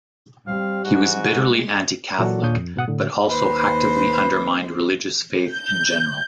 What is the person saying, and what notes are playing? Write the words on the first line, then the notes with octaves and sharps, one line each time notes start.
He was bitterly anti-Catholic but also actively undermined religious faith in general.
G3 C4 F5
G#2 F#4
G#3
A#2 E3 F#3 F#4 A4 D5
D#2 A#2 D4 C#5 D#6 G6
F2
G#2 B2 F#5 D#6
A2 D3
D#2 B4 C5
G6